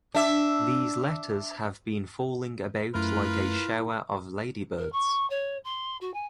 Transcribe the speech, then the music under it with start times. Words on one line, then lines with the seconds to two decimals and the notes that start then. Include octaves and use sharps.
These letters have been falling about like a shower of ladybirds.
0.15 D4 E5
2.95 F#2 A3 E4 F4 A#4 B4
4.78 A#4
4.92 C#6
5.30 C#5
5.64 C6
6.01 F#4
6.14 G#5